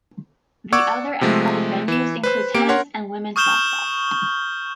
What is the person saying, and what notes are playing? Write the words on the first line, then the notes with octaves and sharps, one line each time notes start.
The other athletic venues include tennis and women's softball.
D5 F#5 C#6 D6 E6 G#6
C3 F3 G#3 A3
E3 E7
B4 C5
A#3 G4 D7
A#4 C#5 F#5 C6
C#6 D#6 F6 G6 E7 G7